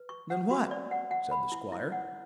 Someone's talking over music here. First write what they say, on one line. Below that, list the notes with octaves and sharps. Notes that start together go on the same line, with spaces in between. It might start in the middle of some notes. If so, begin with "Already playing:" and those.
"Than what?" said the Squire.
Already playing: B4
C#6
F#5
F#4
D5
F#5
F#5
B5
E4
E4
F#5